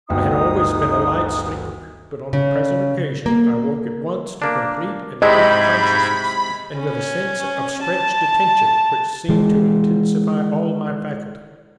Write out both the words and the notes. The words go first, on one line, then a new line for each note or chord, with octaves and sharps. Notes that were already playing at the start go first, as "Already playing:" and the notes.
I had always been a light sleeper, but on the present occasion I woke at once to complete and acute consciousness, and with a sense of stretched attention which seemed to intensify all my faculties.
G1 D2 D#4 G5 D#6
C#3
A#3
A#3 D4
G#2 C3 G#3 E4 D#5 B5 G6 G#6
C#4
A5
E3 G#3